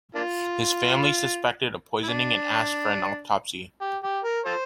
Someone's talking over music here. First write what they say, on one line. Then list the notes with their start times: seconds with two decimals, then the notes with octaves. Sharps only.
His family suspected a poisoning and asked for an autopsy.
0.15 A#3 D4 F4
2.04 E4
2.08 D4
3.81 G4
4.04 G4
4.24 A#4
4.46 F4 A4 C5